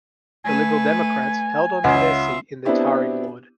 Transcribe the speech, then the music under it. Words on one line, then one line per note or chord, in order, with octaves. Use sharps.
The Liberal Democrats held on to their seat in Tarring Ward.
A3 B4 G#5
C#2 F4 C#5 E5 F#5
B3 C4 D4 E4 G4